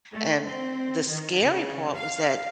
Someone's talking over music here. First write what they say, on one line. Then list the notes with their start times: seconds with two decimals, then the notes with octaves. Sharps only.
and the scary part was that,
0.11 A3
0.45 C4
1.09 D#3
1.40 C#3
1.94 F5